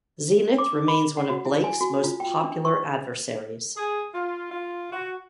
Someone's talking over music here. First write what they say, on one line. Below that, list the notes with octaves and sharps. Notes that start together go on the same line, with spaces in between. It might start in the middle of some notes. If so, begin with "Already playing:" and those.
Zenith remains one of Blake's most popular adversaries.
D6
B5
F#5
F#4
E4
G#5
F#4
F4
G5
D4
C#6
G#4
F4
F4
F#4